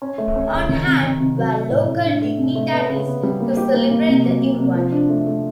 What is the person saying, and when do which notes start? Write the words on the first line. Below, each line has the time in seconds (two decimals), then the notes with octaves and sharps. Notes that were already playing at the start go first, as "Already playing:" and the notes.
On hand were local dignitaries to celebrate the event.
0.02 C#4
0.18 A3
0.36 C#4
0.52 C#3
0.69 D#3
0.86 C3
1.03 D#3
1.20 C3
1.37 F#3
1.53 A3
1.71 A2
1.88 A2
2.05 D4
2.22 A3
2.38 C3
2.55 A3
2.72 B3
2.89 C#3
3.06 B3
3.23 G3
3.40 A#3
3.57 G4
3.74 A#3
3.91 A#3
4.08 C3
4.25 F#3
4.41 C3
4.58 C3
4.75 F3
4.92 D4
5.10 A3
5.27 A3